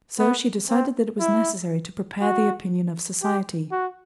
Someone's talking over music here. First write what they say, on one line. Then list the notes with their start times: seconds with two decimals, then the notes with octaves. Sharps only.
So she decided that it was necessary to prepare the opinion of society.
0.19 B3
0.69 C4
1.20 E4
2.21 F#4
3.22 G4
3.72 F#4